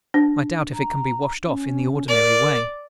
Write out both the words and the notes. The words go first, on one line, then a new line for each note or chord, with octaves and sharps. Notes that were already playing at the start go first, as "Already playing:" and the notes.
I doubt if it can be washed off in the ordinary way.
D4
A#5
C#4
A#4 D5